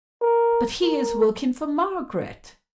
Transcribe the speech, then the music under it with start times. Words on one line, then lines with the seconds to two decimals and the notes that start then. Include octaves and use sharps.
"But he is working for Margaret."
0.22 A#4
0.83 A#4